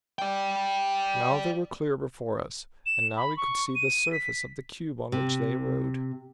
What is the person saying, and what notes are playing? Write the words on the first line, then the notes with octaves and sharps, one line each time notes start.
Now they were clear before us, and now we could see the surface of the cube on which they rode.
D5 G5
E7
B5
C#6
D#7
B6
C3